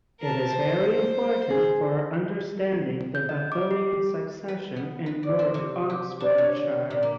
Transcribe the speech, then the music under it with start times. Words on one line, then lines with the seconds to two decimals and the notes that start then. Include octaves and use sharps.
It is very important for understanding the Bathonian succession in north Oxfordshire.
0.20 A#4 A5
0.50 C5
1.50 G#4
3.15 G6
3.29 D#5
3.52 D6
3.71 G4
4.48 B4
4.76 B3
5.06 B4
5.23 D5
5.39 C4
5.54 C3
5.90 G4
6.20 D4
6.38 C#5
6.56 D3
6.90 A#2
7.03 A#3